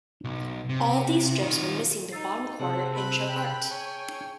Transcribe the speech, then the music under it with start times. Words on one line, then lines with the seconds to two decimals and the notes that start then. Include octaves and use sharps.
All of these strips are missing the bottom quarter inch of art.
0.25 B1
0.69 C3
1.42 D#3 F4
2.12 D#4 E6 A6 C7
2.60 C3 C4 G#4 F#5 A5 E6
2.95 B5 F#6
3.29 G5
3.71 C#5 G#5